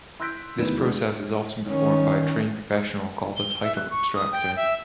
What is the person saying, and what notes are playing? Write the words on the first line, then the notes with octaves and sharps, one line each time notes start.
This process is often performed by a trained professional called a title abstractor.
C6 E6 F#6 G6 B6 D7
F1 E2 D#3 A3 B4 E7
G#3 A3 D4 F#4 G#4
D#3 C#4
G7
E5
F#6
C#6
D#6
G5
E5